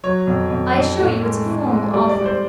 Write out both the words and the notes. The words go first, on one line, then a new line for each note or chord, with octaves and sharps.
"I assure you it's a formal offer."
F#3 C#5
F2
F2
F2
A2
G#3
E3
G#3
G3 D5
D5
G3
C5